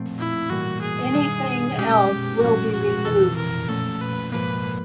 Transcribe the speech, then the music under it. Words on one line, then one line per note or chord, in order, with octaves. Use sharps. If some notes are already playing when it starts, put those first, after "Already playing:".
Anything else will be removed.
Already playing: A#2 F3 A3 C4
E4
A2 E3 G3 A#3 F#4
G#4
G2 D#3 G3
B2 G#3 C#4 G4
A2 F3 G#3 C#4 F#4
F#4
F2 C3 E3 A4
A#4
A#2 F3 A3 C#4 A4
B4
G#2 F3 A#3 B4